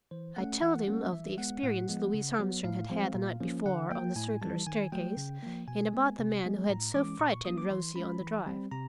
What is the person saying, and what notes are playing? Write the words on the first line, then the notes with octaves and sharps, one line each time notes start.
I told him of the experience Louise Armstrong had had the night before, on the circular staircase, and about the man who had so frightened Rosie on the drive.
E3 C5
A3 C#4 F#5
E3 F#5
G3 A#3 C#4
E3 E5
G#3 B3 F#5
A2 F#5
F3 G#3 B3
C#3
F#3 B3
A2 F5
F3 G#3 C4
A#2
F3 A#3 C#4
D3 F#5
F3 A#3 G5
A2 G#5
E3 G3 A5
D#3 G#5
F#3 A3 G5
C#3
F3 A#3
B2 G#5
G#3 B3
C3
F3 G#3 B3
A2 A#5
E3 G#3 C#4 D6
A#2 C#6
C#6
F#3 A#3 C#4 D#6
D6
E3 C6
G#3 C#4 B5
E3
G3 C4
C3 A#5